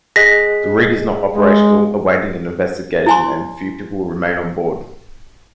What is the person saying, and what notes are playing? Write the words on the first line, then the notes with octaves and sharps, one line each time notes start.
The rig is not operational awaiting an investigation, and few people remain on board.
G#4 D#5 F#6 A#6 B6
G#3
E4 G#5 C6